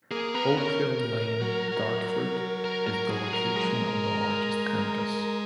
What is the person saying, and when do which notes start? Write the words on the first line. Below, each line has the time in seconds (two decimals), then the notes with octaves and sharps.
Oakfield Lane, Dartford is the location of the largest campus.
0.11 A#3 G#4
0.34 B3 A#4
0.58 C#4 A#4
1.41 F#3
1.72 F#3
2.64 A#4
2.87 A#4
3.09 G#4
3.33 A#4
3.56 G#3